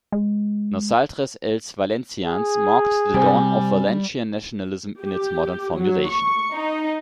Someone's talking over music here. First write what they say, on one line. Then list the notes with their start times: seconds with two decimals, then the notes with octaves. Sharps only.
"Nosaltres, els valencians" marked the dawn of Valencian nationalism in its modern formulation.
0.12 G#3
2.25 G#4
3.14 C3 G3 C4 G#5
5.00 G4
5.76 F#3
6.10 C#6
6.53 D#4